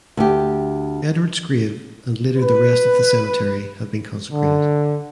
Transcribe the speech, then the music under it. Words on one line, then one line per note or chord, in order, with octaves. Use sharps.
Edwards grave and later the rest of the cemetery have been consecrated.
D2 G4
B4
D3